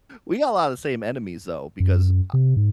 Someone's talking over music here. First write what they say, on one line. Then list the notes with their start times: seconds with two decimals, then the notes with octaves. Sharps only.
we got a lot of the same enemies, though, because I
1.80 F#2
2.33 C3
2.57 G#2